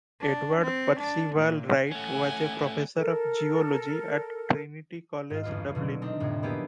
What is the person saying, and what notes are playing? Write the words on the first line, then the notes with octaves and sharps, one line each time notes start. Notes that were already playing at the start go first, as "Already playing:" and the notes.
Edward Percival Wright was a professor of Geology at Trinity College Dublin.
D4
C4
D4
A#2
A3 C#4 F#5 G#5
A4 A#4
G#2 F4
G1 E2 F4
B2 D3 F#3
C4 D4 D#4
F2 A2 C3
A#3 B3 E4 G4 G#4